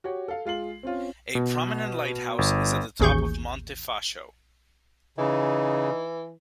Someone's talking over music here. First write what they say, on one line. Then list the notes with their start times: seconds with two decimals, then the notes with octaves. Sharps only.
A prominent lighthouse is at the top of Monte Facho.
0.04 F#4 G4 C#5
0.28 A4 F5
0.45 G#3 F4 C7 F#7
0.83 C4 C#4 F4
1.35 B2
2.38 G1
3.00 A1 D#2 G#4 C#6 G6
5.18 C#3 E3 D#4